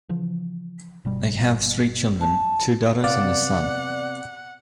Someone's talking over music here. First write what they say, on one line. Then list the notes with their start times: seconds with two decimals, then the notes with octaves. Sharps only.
They have three children: two daughters and a son.
0.09 C#3 E3 F3
1.05 G1 B2 G3
2.21 A5
3.04 C3 B3 D5 F5 F#5